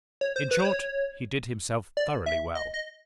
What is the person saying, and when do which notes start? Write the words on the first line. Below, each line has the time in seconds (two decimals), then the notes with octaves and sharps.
In short, he did himself thoroughly well.
0.21 C#5
0.36 C5
0.51 B4
0.59 C5
0.65 C#5
1.97 D5
2.26 E5
2.55 D#5
2.74 D#5